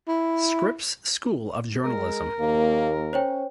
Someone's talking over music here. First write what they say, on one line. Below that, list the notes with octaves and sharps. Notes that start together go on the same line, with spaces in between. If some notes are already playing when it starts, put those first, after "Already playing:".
Scripps School of Journalism.
E4
G#3 A#4
D#2 A#3
C#4 C5 C#5 G5